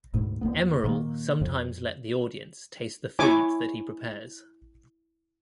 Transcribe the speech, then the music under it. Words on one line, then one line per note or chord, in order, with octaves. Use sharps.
Emeril sometimes let the audience taste the food that he prepares.
D2 G#2 B2
E2 G2 A#3 B3
A#2 D#3 A#3
F2
E4 C#5 G#5 D6